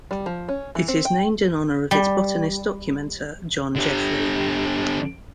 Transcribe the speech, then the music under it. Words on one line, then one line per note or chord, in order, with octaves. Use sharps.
It is named in honor of its botanist documenter John Jeffrey.
G3
F3
C#4
E3
C4
G5
G3
D3 G4